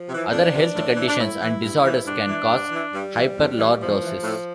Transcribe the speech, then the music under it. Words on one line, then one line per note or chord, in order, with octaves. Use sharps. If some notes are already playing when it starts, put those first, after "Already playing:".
Other health conditions and disorders can cause hyperlordosis.
Already playing: F3
C3
E3
F2 D4
C3 E3
A2
E3
D4
A2 E4
E3
G2
E3
G2 D4
E3
G2
E3
G2 G3
E3
E2
E3
E2 F3
E3
A2